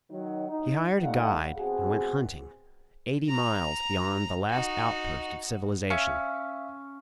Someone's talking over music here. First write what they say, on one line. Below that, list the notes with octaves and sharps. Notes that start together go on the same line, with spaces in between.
He hired a guide and went hunting, eighty miles beyond the last outpost of civilization.
D#3 F#3 D#4
D#4
A#2 G3 A3 D#4 F5 F#5
B2 C4 F#4 G#4
A#5
D#4 F#4
C#4 E5 F5